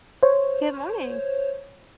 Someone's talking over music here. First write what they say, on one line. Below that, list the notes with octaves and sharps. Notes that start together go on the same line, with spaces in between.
Good morning.
C5 C#5